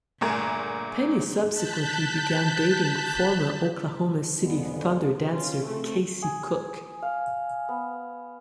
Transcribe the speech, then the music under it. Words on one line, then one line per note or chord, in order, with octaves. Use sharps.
Penny subsequently began dating former Oklahoma City Thunder dancer Kaci Cook.
G1 A#2 A3 G#4 A#4 G#5
A5 F#6 G6 B6
F2 D3 G#3 B3
C#4 F4
A3 C4
G#4
F5
B3